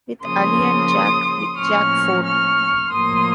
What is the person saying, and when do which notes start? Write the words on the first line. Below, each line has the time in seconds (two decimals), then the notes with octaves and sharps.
With Ali and Jack, with Jack Ford.
0.24 C#3 F3 A#3 C6 D#6
1.58 A2 F3 A#3 C#4 C#6 F6
2.25 C#6 F6
2.92 A2 F3 A#3 C6 D#6